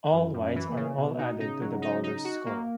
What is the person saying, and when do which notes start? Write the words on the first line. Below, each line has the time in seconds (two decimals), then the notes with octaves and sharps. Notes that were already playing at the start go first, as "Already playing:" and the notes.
All wides are all added to the bowler's score.
0.13 F#2 E3
0.34 F#2
0.41 C#4
0.56 E3
0.69 A#3
0.76 C#3
0.97 B2 B3
1.18 D#4
1.40 C#3 D#4
1.61 F#3
1.82 D#4
2.03 D#4
2.25 F#4
2.46 A#3